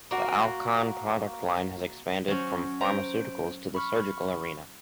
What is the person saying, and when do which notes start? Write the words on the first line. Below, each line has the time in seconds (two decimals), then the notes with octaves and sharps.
The Alcon product line has expanded from pharmaceuticals to the surgical arena.
0.11 A#3 F#4
2.28 F#3 C#4 C5
2.81 C5 A#5 D7
3.75 B5 C#6 F6